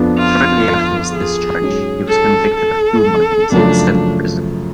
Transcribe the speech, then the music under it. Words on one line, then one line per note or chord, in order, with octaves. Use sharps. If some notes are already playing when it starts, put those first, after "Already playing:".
Shortly after his discharge, he was convicted of two muggings and sent to prison.
Already playing: F2 F3 B3 D4
F4
G#4
G#2 F#3 C#4
A4
A4
F#2 C#3 F3 A3 D4